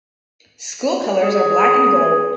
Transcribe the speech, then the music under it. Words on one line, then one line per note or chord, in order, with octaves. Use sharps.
School colors are black and gold.
G#4